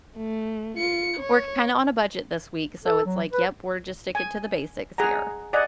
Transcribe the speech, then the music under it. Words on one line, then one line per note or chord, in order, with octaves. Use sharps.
we're kinda on a budget this week, so it's like, yep, we're just sticking to the basics here.
A3
F4 C#7
C#5
A4
F#3
B4
G#5
G#4 F#5 G#5 A#5
D5 D#5 F#5 G#5